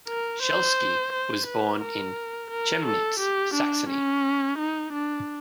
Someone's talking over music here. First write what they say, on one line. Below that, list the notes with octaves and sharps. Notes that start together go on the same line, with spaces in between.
Schelsky was born in Chemnitz, Saxony.
A#4
C5
C5
B4
A#4
A#4
A4
G4
D4
C#4
D#4
D4